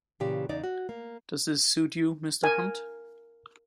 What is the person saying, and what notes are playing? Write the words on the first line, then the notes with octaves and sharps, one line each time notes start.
Does this suit you, Mr. Hunt?
A#2 C#3 E3 G4
E2 C#3 D#4 D5
F#4
A#3
A#4 G#5